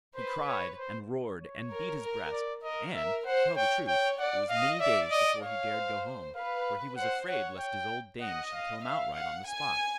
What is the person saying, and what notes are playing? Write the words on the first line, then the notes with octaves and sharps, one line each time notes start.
He cried and roared and beat his breast, and, to tell the truth, it was many days before he dared go home; for he was afraid lest his old dame should kill him outright on the spot.
B4 C5
C#5
C5
C#5
A#4
A#4
D5
A#4 D#5
E5
C5 F#5
C#5 G5
C#5 G5
D5 F#5
D#5 F5
D5 E5
D#5
C#5 F5
C5
B4 F5
C5 F#5
C#5 F#5
G5
D#5 F#5
F5
E5 F5
F5 F#5
G#5